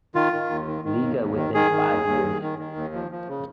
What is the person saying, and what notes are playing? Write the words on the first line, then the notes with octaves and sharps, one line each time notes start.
Liga within five years.
D#3 F4
D#3
D#2
D#3
D#3
D#2
D#2
D#3
D#3 G#4
D#3
D#2
D#2
D#3
D#3
D#3
D#2
F3
F3
C#3